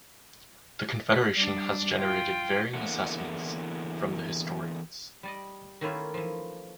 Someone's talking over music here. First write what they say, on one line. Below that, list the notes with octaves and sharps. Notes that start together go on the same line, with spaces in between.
The Confederation has generated varying assessments from the historians.
G3 D4
F4 G5
E2 D3 E3 A#3 F#5
G3 D5 D#5
D#3 A3 A#3 C#4 E4 F4
E3 F3